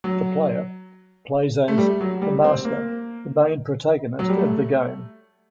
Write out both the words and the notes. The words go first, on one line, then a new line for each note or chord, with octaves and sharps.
The player plays as "The Master," the main protagonist of the game.
F#3
A3
G3
F#3
G3
C4
A#3
F#3
G3
A3